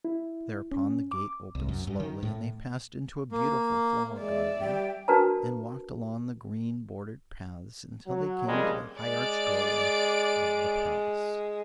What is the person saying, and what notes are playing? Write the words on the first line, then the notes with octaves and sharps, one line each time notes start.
Thereupon the gate opened slowly, and they passed into a beautiful flower garden, and walked along the green-bordered paths until they came to the high-arched doorway of the palace.
E4
C#4
D6
C2
F#2
G2
D#3
A2
A#3
G#3 D5 E5
G3 G5
D4 F#4 A#4 B4 A5 A#5
F#3
F2 C#3 G3 G#3 A#3
G#3 D5 D7